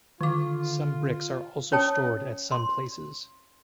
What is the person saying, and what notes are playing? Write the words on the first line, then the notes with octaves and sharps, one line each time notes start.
Some bricks are also stored at some places.
D3 D#3 F4 D6
C#4 C#5 G5 A5 D#6
C6